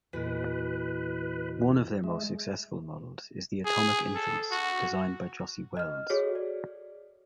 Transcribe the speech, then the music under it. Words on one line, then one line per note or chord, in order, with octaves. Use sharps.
One of their most successful models is the Atomic Infamous designed by Jossi Wells.
E2 A#2 E3 F#4 A4 B4 D#5
G#3 E5
G#4
A4
F#4
D#5 F6
F#4 G#4 A4 C#5
D5